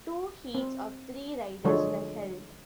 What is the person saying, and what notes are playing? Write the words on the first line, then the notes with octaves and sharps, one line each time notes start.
Two heats of three riders were held.
C4
D3 F3 F#3 G#3 A4 C#5